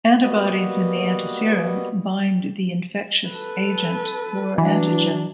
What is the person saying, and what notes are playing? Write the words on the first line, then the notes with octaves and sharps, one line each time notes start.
Antibodies in the antiserum bind the infectious agent or antigen.
G3 A#3 B3 F#4 B4 D#5
A4 B4
E3 F#3 D4